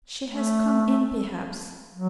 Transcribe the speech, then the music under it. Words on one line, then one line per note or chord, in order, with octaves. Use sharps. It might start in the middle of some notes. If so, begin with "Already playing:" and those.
She has come in, perhaps.
A3
F#3